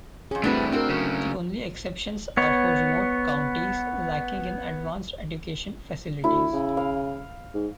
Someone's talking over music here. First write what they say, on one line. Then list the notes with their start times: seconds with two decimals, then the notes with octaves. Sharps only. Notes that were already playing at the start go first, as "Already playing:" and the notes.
The only exceptions are for remote counties lacking in advanced education facilities.
0.31 F2 C#4 G#4
0.44 G2 E3 A3 C4 D4 F#4 B4
0.72 A2 C4 D4 F#4 A#4
0.88 C#3 F#3
2.37 B3 C#5
6.24 D2 E4
6.53 C#3
6.77 F5
7.54 G#2